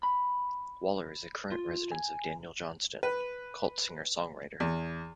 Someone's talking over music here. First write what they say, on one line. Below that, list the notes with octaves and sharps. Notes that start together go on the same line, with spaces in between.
Waller is the current residence of Daniel Johnston, cult singer-songwriter.
B5
F4
G#5
B4
E2